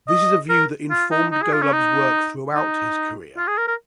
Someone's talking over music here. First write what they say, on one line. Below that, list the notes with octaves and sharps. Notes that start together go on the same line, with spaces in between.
This is a view that informed Golub's work throughout his career.
D#5
A#4
F4
D#4
D#4
G#4
F4
C#4
D#4
D#4
F4
G#4
A#4
A#4